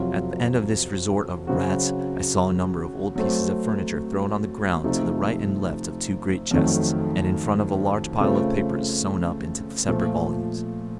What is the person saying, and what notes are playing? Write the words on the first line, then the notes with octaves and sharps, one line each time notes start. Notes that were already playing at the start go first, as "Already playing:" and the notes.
At the end of this resort of rats, I saw a number of old pieces of furniture thrown on the ground to the right and left of two great chests, and in front of a large pile of papers sewn up into separate volumes.
Already playing: F2 C3 F#3 C4 F4
C#3 F#3 C4 F#4
F#3 A3 C4
C3 F3 A3 D#4 A4
F2 D#3 F#3 A3
C#3 A3 C4 F4
A#2 F3 A3